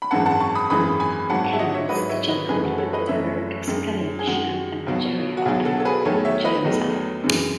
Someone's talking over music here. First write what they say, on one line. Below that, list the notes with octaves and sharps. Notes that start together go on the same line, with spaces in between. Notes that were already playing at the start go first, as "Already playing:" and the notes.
Kenyon's teaching complemented her excavations at Jericho and Jerusalem.
B5
G#1 F#2 E3 G#3 F#5 A5
F#5 A5
A5 C#6
B5 D#6
G#1 F#2 E3 G#3 B5 D#6
G#5 B5
G#1 G#2 F#3 F#5 A5
F#5 A5
E5
D#5 F#5
C#5 E5
G#1 G#2 F#3 B4 D#5
C#5 E5
B4 D#5
F#1 F#2 E3 A3 G#4 B4
F#4 A4
A4 C#5
B4 D#5
F#1 F#2 E3 A3 C#5 E5
F#2 D#3 G#3
G#4
F#2 D#3 G#3 F#4
B1 B2 F#3
F#4
B1 B2 F#3 G#4
F#4 A4
A4
G#4 B4
E2 D#3 F#3 A3 A4 C#5
C#5 E5
B4 D#5
E2 D#3 F#3 A3
F#2 C#3 E3 G#3